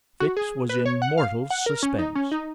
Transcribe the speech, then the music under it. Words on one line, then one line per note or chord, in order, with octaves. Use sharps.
Fix was in mortal suspense.
F#4
G#4
B4
C#5
F#5
F5
F#5
A#4
C#4
D#4
C#4
D#4